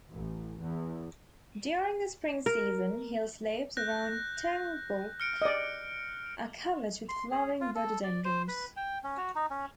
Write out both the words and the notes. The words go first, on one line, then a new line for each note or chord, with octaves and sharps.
During the spring season, hill slopes around Tengboche are covered with flowering rhododendrons.
A1
E2
A#4
F#6 G6 A#6
F6 C#7 D7
D5 D#5
C6
G#4
F4
A4
D5
C5
B4
G5
C#4
F#4
D#4
C#4